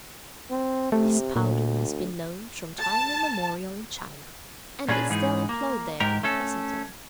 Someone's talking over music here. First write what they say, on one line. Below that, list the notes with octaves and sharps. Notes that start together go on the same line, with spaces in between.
This powder has been known from time immemorial in China, and is still employed there in the present day.
C4
C3 A3
D2 A#2
A5
A#2 C#4 D4 G#4 B4
G#2 E3 D#4 G#4
A#3
G#2 G4 A#4
A3 C#4 A4